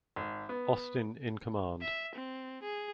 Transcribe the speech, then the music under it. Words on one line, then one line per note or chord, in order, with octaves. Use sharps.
Austin in command.
G#1
B3
E5
C4
G#4